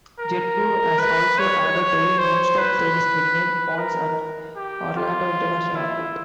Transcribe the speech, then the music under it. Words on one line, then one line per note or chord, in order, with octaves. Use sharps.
JetBlue has also added daily, non-stop service between Ponce and Orlando International Airport.
A#4
B4
C#5
C5
B4
A#4
G4
F4
E4